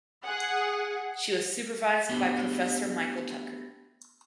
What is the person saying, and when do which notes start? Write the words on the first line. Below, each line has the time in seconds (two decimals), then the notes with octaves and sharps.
She was supervised by Professor Michael Tucker.
0.23 G#4 F#5
2.09 A3 B3 C4 D4 F#4 G4